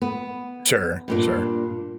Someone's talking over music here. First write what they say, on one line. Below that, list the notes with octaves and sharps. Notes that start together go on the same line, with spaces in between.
Sure, sure.
B3
G2 A#2 D4